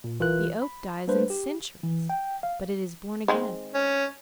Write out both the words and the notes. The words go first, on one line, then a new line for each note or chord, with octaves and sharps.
The oak dies in centuries, but it is born again.
A#2
B1 E3 F4 A#4 F#6
B5
G3 A#3 D4 B4 C5
G4
E3
G5
F5
D#3 G#3 C4
C#4